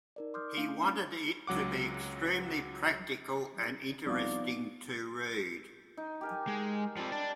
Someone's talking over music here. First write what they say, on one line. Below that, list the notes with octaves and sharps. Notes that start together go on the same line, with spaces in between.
He wanted it to be extremely practical and interesting to read.
D#4 A#4 D5
C6 D6 D#6 F6 G6
A3 C#4 D4 E4 F5 G6
C#4
C#2 F#3 F#5 D6
C2 F3 B3 D#4 D5
D#4
G4 A#4 G#5
G#3
F3 G3 C4
D5 A5